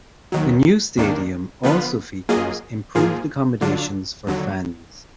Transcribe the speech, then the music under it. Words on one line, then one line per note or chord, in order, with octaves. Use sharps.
The new stadium also features improved accommodations for fans.
D#2 D#3 F#3
D#2 D#3 A#3 D4
D3 F3 B3 F4 B4
F#3 A#3 F4 G#4 D#5
G#2 F3 A#3 F4 G#4
D3 F#3 D4 F4
D#2 D3 F#3